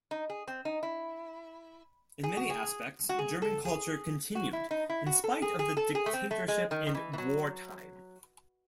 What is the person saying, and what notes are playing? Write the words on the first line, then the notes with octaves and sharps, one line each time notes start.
In many aspects, German culture continued in spite of the dictatorship and wartime.
D#4
G#4
C4
D#4
E4
G#4
F#4
G#4
F#4
G#4
A4
G#4
F#4
E4
D#4
E4
F#4
A4
G#4
G#4
A4
G#4
A3
C4
A3
G#3
D#3
D#3
E3
E3
F#3